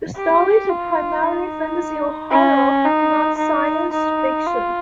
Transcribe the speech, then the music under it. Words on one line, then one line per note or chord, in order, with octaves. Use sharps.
The stories are primarily fantasy or horror, not science-fiction.
G4
F4
D#4
C#4
D#4
D#4
D#4
F4